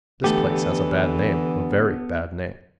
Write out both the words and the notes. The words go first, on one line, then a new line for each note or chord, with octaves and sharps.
This place has a bad name,--a very bad name.
D3 E3 A3 B3 G4 A4